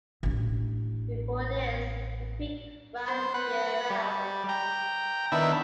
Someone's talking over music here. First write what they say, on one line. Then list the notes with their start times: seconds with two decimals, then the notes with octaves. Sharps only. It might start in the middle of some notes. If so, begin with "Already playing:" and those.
Before this, the creek ran year round.
0.23 A1 D4
3.08 C5
3.34 B4 F#5
3.90 G3
4.49 G5 A#5
5.32 D#3 B3 D4 E4 E5